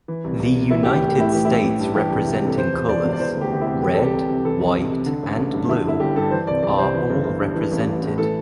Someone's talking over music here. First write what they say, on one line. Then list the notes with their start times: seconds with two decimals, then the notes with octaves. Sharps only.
The United States representing colors, red, white and blue, are all represented.
0.08 E3
0.24 C2
0.39 C2
0.54 C3
0.71 E3 E4
0.83 A1 G4
0.95 E4
1.02 A1
1.08 G4
1.17 A2 E4
1.33 E3 G4
1.45 A1 E4
1.64 A1
1.79 G2
1.95 E3 G4
2.10 C2
2.26 C2
2.42 C3 A4
2.58 E3 C5
2.73 E1
2.89 E1 D5
3.04 E2
3.13 D5
3.19 E3 C5
3.35 D2
3.41 G4
3.51 D2 G4
3.61 E4
3.66 C3
3.82 E3 G4
3.93 C2 A4
4.04 G4
4.13 C2
4.29 C3
4.44 E3 A4
4.60 C2
4.75 C2
4.91 C3
5.06 D3
5.23 A1
5.38 A1
5.54 G2
5.69 D3 E4
5.85 G1 E4
6.00 G1 G4
6.16 G2 A4
6.31 E3 C5
6.47 C2 D5
6.63 C2 D5
6.78 C3 C5
6.94 E3
7.10 G1
7.24 G1
7.40 G2
7.55 E3
7.71 A1
7.87 A1
8.03 A2
8.18 E3 A4